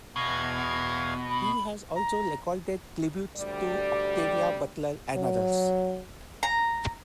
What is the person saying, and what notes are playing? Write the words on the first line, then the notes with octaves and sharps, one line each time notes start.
He has also recorded tributes to Octavia Butler and others.
E2 B2 F5 G#6
B5
A#5
D2 G3 D5
F#3
A#5